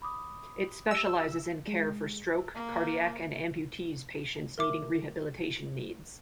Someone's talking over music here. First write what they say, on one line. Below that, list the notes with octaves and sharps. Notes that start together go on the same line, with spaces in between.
It specializes in care for stroke, cardiac and amputees patients needing rehabilitation needs.
B5 D6 D#6
G4 E6
G#3
A#3
A#4 E5 D6